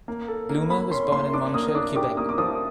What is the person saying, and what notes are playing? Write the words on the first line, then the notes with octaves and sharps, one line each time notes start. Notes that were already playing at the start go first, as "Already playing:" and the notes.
Blumer was born in Montreal, Quebec.
A#3
A4
A#3
A#3 B5
C#4 C6
A#3 C6
D4 D6
A#3 D#6
D4 D6
G4 D6
A#3 D#6
D6
F3 D#6